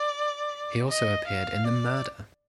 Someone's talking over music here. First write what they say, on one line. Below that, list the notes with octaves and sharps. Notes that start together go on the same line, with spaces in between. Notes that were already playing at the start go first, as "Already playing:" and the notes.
He also appeared in the Murder!
Already playing: D5
D#5
F5
D5